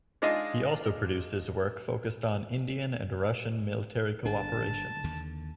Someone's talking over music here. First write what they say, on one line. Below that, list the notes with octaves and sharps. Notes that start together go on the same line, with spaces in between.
He also produced his work focused on Indian and Russian military cooperations.
G#3 D4 D#4 F4 G#4 D#5
G1 D4 A5
D#2 D3